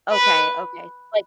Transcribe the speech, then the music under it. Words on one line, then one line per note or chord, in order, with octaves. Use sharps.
okay, okay. Like
B4